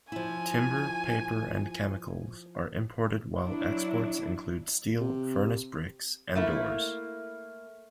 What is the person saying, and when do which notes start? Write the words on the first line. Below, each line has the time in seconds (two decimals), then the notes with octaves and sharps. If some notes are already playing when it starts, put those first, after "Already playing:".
Timber, paper and chemicals are imported while exports include steel, furnace-bricks and doors.
0.12 F3 E4 G#5
3.47 F#3 D4 E4
5.01 C3
6.35 A3 A#3 E4